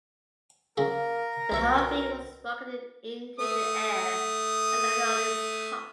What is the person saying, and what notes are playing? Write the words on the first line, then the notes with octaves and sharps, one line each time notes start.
The Humvee was rocketed into in the air and landed on its top.
C#3 F#3 A#3 G#4 A#4
C2 B2 C5 E5 C#6
D#6
A3 D#6